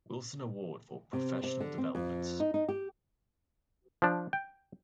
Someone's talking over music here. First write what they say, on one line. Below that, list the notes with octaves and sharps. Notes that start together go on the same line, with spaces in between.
Wilson Award for Professional Development.
C3
C3
D3
C4
F2
D#4
D#4
G4
F3 D4
G5